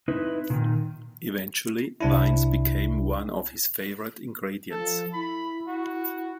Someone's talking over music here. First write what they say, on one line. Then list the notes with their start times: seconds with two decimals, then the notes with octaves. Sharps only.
Eventually, wines became one of his favorite ingredients.
0.08 C4 D#4 E4 B4
0.50 A#2 D#3
2.00 C2 D4 E4
4.71 F3 A4
5.14 E4 B5
5.68 F#4